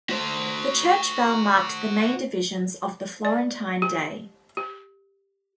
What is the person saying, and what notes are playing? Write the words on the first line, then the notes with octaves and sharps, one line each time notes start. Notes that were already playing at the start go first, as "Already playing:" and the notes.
The church bell marked the main divisions of the Florentine day.
F#4 C5
D5
G4
G4